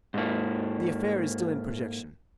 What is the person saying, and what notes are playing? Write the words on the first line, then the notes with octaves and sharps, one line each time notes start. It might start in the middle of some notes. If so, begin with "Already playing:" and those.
"The affair is still in projection."
G#2 A#3